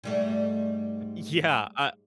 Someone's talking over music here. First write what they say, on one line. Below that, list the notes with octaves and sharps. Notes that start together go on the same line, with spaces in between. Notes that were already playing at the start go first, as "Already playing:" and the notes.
Yeah, I
G#2 G3 A3